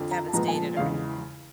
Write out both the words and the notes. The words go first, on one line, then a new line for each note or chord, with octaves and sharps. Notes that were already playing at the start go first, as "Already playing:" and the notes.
Devastated or anything.
Already playing: F2 D3 F3
A#5
A5
A#2 F3 G#3 B3 A#5
G#5
A5
E2 C#3 E3 G#3 F5